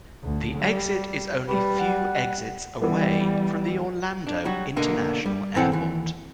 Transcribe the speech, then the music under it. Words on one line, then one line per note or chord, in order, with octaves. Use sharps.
The exit is only few exits away from the Orlando International Airport.
D2
G3
G3 B4
F#5
E3 G3 B3
D4
F#3 G3 F#4
B2 D3 A#3 D4 D#4
G3
B1 G#2 E3 C4 A4 F#5
D#2 E3